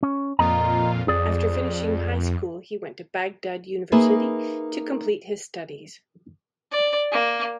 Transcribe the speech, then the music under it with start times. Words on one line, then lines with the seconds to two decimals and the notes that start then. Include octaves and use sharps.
After finishing high school he went to Baghdad University to complete his studies.
0.03 C#4
0.39 F2 A#2 F4 D#5 A#5
1.08 F2 G#4 D5
3.92 A#3 D#4 G#4 B4 E5
6.72 D5
7.12 A#3